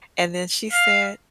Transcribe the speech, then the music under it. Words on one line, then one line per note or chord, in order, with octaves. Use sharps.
and then she said,
F5